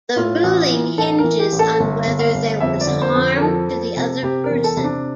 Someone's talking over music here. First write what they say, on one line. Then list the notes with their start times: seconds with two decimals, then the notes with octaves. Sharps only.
The ruling hinges on whether there was harm to the other person.
0.16 A2 F4
0.44 A1
0.71 E3
0.98 A1 A4
1.19 A#4
1.24 E3
1.39 G4
1.52 A1
1.59 A4
1.80 G1
2.07 G1
2.19 F5
2.34 G1
2.60 F2 E5
2.81 D5
2.87 D3
3.02 C5
3.15 F2
3.37 A#4
3.41 F3 A4
3.69 F3
3.97 C3
4.23 C3 G4
4.44 A#4
4.50 E2
4.64 A4
4.77 C3
4.84 D4